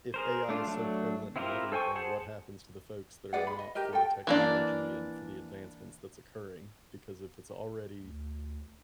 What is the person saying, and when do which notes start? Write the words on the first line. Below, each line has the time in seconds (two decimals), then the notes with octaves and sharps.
if AI is so prevalent in everything, what happens to the folks that are not for technology and for the advancements that's occurring? Because if it's already,
0.14 G#4 A#4 C5
0.49 A3 D4 F4
0.67 F#3 A3 D4
1.36 C4 E4 F4 G4 A#4
1.72 A4 C5 G5 G#5 C#6
1.95 G#4 C5 F#5 A5
3.33 G#4 B4 D5 F#5
3.47 B5
3.59 D#5
3.75 G4 A#4 D#5
3.93 A4 G5
4.27 E3 A#3 D4
8.00 D2